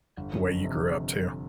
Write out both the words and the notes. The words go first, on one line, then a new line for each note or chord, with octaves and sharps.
the way you grew up too,
G1
G1
F2
C3